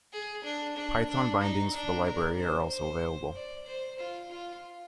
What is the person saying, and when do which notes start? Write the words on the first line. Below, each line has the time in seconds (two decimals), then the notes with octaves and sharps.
Python bindings for the library are also available.
0.12 G#4
0.44 D4
0.77 D4
1.09 D4
1.41 D#4
1.74 D4
2.06 A#4
2.38 C5
2.70 C5
3.35 D5
3.67 C5
3.99 F4
4.31 F4